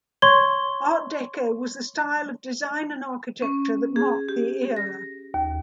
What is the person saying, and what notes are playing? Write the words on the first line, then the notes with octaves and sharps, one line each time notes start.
Art Deco was the style of design and architecture that marked the era.
C#5 C6 C#6 G#6 G7
C#4
G#4
G4
A#6
D#2